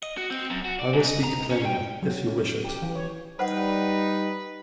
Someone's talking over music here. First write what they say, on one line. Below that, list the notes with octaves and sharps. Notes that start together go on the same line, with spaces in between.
I will speak plainer, if you wish it.
D#5
F#4
C4
F#2
F#4
D5
G#2
D#5
A#5
C#4
G5
F#3
C#4
G4
E3
C#5
G3 D#4 B4 C5 F#5